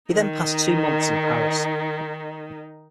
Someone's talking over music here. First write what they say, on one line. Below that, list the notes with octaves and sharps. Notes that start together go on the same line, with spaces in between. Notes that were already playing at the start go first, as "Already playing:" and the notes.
He then passed two months in Paris.
D#3 D#4